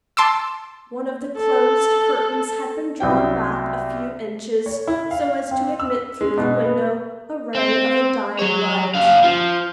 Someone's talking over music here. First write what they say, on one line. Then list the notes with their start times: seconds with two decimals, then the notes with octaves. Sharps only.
One of the closed curtains had been drawn back a few inches, so as to admit through the window a ray of the dying light.
0.17 A5 C6 D6 E6
1.37 A4
3.00 C2 F#3 G5
4.66 C#5
4.87 E4
5.11 F5
5.51 C4
5.80 E6
6.21 G#3
6.37 B2
6.63 B3
7.55 C4
8.39 F#3 C#5
8.95 F#2 F5
9.24 F3